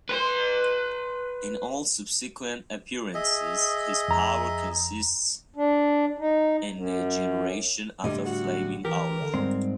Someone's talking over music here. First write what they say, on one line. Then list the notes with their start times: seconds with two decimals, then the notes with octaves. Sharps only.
In all subsequent appearances, his power consists in the generation of a flaming aura.
0.09 B4 C6
3.14 G#4 D#5 E5
4.08 F2 A#5
5.56 D4
6.18 D#4
6.72 F#2
8.04 A2 D3 G3 G4 D#5
8.25 F#4 F#5
8.85 E3 G4 A#4
9.21 D3
9.34 G#2 G3 C4